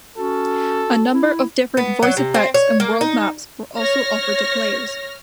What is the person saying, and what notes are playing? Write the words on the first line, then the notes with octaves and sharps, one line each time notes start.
A number of different voice effects and world maps were also offered to players.
C#4 F#4 A4
E4
B3
F#3
C3
C4
C#5
A#3
D#4
C#5 F6 A#6